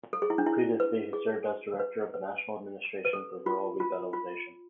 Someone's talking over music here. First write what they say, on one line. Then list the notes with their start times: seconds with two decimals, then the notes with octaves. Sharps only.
Previously he served as director of the National Administration for Rural Revitalization.
0.13 A4
0.22 G#4
0.30 E4
0.38 D4
0.46 E4
0.80 B4
1.13 G#4
1.79 B4
2.14 B4
3.05 B4
3.13 A4
3.46 F4
3.80 F4
4.13 F4